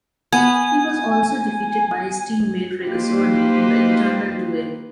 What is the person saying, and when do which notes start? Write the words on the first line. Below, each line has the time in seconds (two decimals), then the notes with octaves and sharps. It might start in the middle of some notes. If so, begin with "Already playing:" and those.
He was also defeated by his teammate Regazzoni in the internal duel.
0.33 B3 G#5 G#6
2.80 A#3 D#4 F4 G4 B4 C5